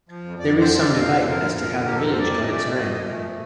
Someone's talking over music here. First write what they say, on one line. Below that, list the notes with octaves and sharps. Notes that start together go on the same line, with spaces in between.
There is some debate as to how the village got its name.
F3
F2
F2 D5
D3
C5
F3
D5
F2
D#5
F2 F5
D3
F3 A#4
F2
F2 A#4
D3
F3 G4
A4
F2 A#4
C5
A#2 D5
F3
D#5
A3 D5
A#2
A#2 D#5
F3
A3
A#2